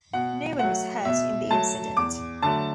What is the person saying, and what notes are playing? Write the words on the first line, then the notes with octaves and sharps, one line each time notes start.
No one was hurt in the incident.
B2 F#5
F#3 A3 F#5
B2 E5
F#3 A3 A5
E2 D6
D3 F#3 A3 A5